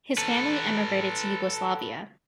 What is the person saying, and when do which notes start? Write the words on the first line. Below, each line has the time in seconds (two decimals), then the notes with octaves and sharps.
His family emigrated to Yugoslavia.
0.18 A4 B4